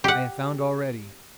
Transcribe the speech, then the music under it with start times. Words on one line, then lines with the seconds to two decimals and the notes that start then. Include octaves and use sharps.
"I have found already."
0.04 G4 F#5